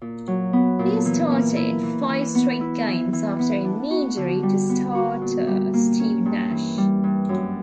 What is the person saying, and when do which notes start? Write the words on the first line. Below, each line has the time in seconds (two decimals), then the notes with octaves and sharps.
He started five straight games after a knee injury to starter Steve Nash.
0.01 A#2
0.28 F#3
0.53 B3
0.79 A#2
1.05 E3
1.32 A#3
1.56 E4
1.83 E3
2.09 E3
2.35 B3
2.61 E4
2.87 E3
3.13 E3
3.39 B3
3.65 D4
3.91 F#4
4.17 D3
4.43 G3
4.69 B3
4.95 F#4
5.22 A#2
5.47 G3
5.74 A#3
6.00 C#4
6.26 G2
6.51 E3
6.78 G3
7.04 G2
7.29 F#2